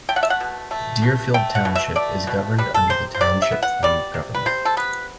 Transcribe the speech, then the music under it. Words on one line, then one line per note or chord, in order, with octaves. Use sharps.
Deerfield Township is governed under the Township form of government.
A3 G5
F#5
E5
F#5
B2
A3
B2
A3 G5
F#5
B2
E5
A3 D5
B2
G3 B4
A4
C3 C5
C5
C3 D5
E5
B3
F#5
G3 D5
C3
B4
C3 C5
A4
B3 B4